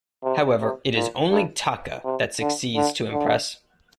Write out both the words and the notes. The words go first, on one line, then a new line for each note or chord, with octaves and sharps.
However, it is only Taka that succeeds to impress.
C3
C3
A#2
G2
C3
D3
D3
D3